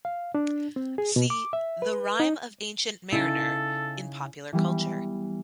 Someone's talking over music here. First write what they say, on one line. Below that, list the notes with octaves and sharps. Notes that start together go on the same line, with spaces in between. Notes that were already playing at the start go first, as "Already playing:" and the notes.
See "The Rime of the Ancient Mariner" in popular culture.
F5
D4
C4
G#4
B2
D6
E5
B4
D#4
C#3 D#4 E4 A4
E3 G3 B3